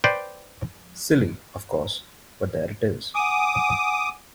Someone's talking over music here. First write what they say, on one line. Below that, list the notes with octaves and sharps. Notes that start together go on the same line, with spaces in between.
Silly, of course, but there it is.
B4 C5 D5 G5
F#5 G#5 D6 D#6